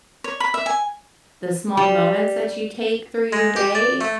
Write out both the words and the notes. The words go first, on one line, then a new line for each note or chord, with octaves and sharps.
the small moments that you take through your day,
C#5
B5
E5
G#5
G3
G#3
G4
D5
A3